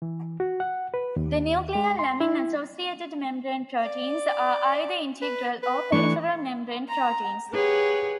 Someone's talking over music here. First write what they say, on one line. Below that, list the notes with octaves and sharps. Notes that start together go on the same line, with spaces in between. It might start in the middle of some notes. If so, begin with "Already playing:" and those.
The nuclear lamin-associated membrane proteins are either integral or peripheral membrane proteins.
E3
F#4
F#5
B4
D#2
G#3
C6
E4
D5
B4
B4
E3 A3 D4 C#6
A#5
G4 G#4 B4 C#5 F#5